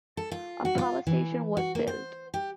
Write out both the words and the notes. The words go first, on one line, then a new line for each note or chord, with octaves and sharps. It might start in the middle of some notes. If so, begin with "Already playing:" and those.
A power station was built.
A4
F4
F#4
F4
E3
F#4
A#3
C5
G4